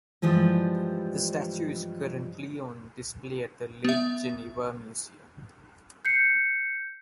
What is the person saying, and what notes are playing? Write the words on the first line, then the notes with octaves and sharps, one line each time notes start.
The statue is currently on display at the Lake Geneva Museum.
G2 E3 F3 G3 G#3
B3 E5
G6 C7 C#7